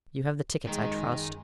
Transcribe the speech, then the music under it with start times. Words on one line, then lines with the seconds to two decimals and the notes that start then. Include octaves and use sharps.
You have the tickets, I trust?
0.67 F#2 D#3 G#3 A#4